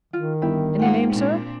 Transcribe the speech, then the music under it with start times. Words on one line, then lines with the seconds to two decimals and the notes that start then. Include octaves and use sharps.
"Any name, sir?"
0.13 D#3 F4
0.42 G1 E4 G4 E5
0.79 G#2 A#3 F4 F#5 G5
1.12 A#2 C4 D4